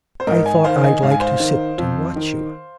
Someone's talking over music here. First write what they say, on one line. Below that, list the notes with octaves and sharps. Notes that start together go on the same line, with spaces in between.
I thought I'd like to sit and watch you.
C5
G#2 A#4 D#5
D#5 G#5
D#3 C5 F5
D#5 G#5
G#2 F5
G#5
C5 F5
D#3
F2
D#3